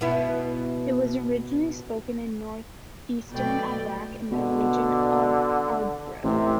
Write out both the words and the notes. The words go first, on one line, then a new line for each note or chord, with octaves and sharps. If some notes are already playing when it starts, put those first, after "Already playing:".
It was originally spoken in northeastern Iraq, in the region of Arbil.
B2 B3 E4
B2 F#3 A3 D5 G5
B2 D3
A1 C3